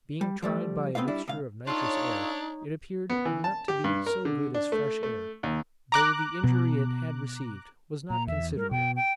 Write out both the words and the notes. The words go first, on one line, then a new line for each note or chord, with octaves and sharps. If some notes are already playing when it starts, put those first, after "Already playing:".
Being tried by a mixture of nitrous air, it appeared not to be so good as fresh air, though the injury it had received was not considerable.
G3
F3 G3 A3
B3 C4 F4 B4 F5
G3 D4 E4
C#2 F5
D4 D#4 F4 A4 C#5
B3
E3
A5
G4
G2
A#4
D3
D4
A3
A3
D#2
A#5 D6 F#6
B2
A#2 A#5
E2 E5
G3 A#4
B2 G5
G5